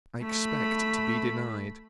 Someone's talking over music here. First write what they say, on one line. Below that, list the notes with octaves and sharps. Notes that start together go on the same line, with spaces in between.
I expect to be denied.
A3 B5